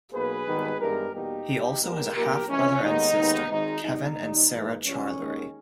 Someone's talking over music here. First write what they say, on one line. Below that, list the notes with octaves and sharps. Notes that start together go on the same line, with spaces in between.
He also has a half brother and sister, Kevin and Sarah Charlery.
B1 B2 A#3 G#4 B4
G#1 G#2 D#3 G3 B3
G2 E3 G#3 B3 G4 A#4
E2 B2 G3 A#3 D#4 G4
B1 B2 G3
A#1 A#2 G3 B3 G4 A#4
B1 A#2 A#3 G4 A#4
C#2 C#3 E3 G#3 C#4
D#2 D#3 G#3 B3 D#4
D#2 D#3 G#3 B3
G#1 G#2 D#3 G#3 D#4
E2 D#3 G3 B3 D#4
D#2 D#3 G3
G#2 E3 A#3
C#2 C#3 E3 G3 C#4
D#2 D#3 G#3